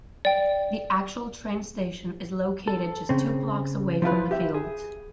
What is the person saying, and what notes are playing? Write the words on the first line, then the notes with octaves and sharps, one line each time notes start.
The actual train station is located just two blocks away from the field.
D5 G5
A4
C#3 C4
F3 E4 F4 B4
G4 E5
G#4